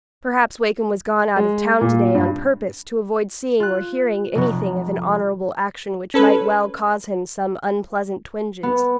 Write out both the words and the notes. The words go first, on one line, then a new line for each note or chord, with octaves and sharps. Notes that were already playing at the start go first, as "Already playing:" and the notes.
Perhaps Wakem was gone out of town to-day on purpose to avoid seeing or hearing anything of an honorable action which might well cause him some unpleasant twinges.
G#3
A#2
G2
F4 F#6
F1 F#3
C#4 A4 B4
B3